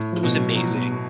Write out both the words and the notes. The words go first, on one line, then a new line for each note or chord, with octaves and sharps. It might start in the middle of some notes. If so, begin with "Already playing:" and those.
it was amazing.
Already playing: A2
F3
B2
F#3
F3 F#3
A2
B2